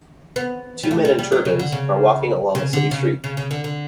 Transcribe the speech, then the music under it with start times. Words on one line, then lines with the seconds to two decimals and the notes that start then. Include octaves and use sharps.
Two men in turbans are walking along a city street.
0.36 B3
0.83 G3
0.91 A3
1.05 G3
1.19 G3
1.32 F#3
1.45 C#3
1.59 D3
1.72 C#3
2.55 C#3
2.73 D3
2.91 C#3
3.24 C#3
3.37 C#3
3.51 D3
3.64 D3